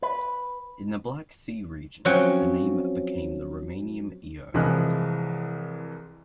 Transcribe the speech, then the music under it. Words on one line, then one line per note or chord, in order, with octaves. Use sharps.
In the Black Sea region, the name became the Romanian Ioan.
B4
F3 F#3 C4 C#4 F#5 G5
C2 E3 F3 G#3 D#5 F#6